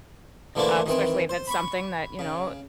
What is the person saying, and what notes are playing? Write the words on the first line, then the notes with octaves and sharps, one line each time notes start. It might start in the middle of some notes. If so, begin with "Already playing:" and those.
uh, especially if it's something that, you know,
D3 E3 A3 A#3 D4 C5
D#3 E3 C4
C5
B5 C#6
C#3